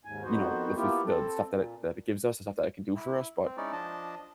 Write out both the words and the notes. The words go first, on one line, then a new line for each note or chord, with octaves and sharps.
you know if if the stuff that that it gives us, the stuff that it can do for us, but
D#2 G#2 G#5
F2 D#3 B3 F#4 C5
A#3 B3 E4 F4 G4
C4 A4
A#2
E4
C4
G#3 C#4 D#4 E4 D5
F3 D4 D#5 A5